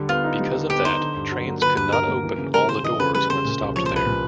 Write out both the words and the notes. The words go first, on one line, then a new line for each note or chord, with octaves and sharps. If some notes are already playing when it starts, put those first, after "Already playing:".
Because of that, trains could not open all the doors when stopped there.
Already playing: D3 G3
B3 F4
D#4
G3
D3
B3 G4
D#4 C5
D3
G2
F#3
A#3
D3 B4
G2 B4
F#3 A#4
A#3
E3
C#3
G3 A#4
C#3 C5
E3 D#5
C#3 B4
G3 B4
C#3 C5
A#2
C2
F3 C#5
C5
C2 B4
A#2